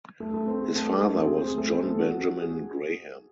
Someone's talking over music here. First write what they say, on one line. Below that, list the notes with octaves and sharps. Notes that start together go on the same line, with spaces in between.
His father was John Benjamin Graham.
A3 A4
A3 A4
C4 C5
G#4
A3 A4
G#4
A3 A4
C4 C5
G#4
C4 C5
G#4
A3 A4
C4 C5
A3 A4
F#4
G#4